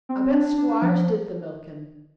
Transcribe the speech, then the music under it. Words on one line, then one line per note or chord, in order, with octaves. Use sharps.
I bet squires did the milkin'.
C4
D4
D4
F3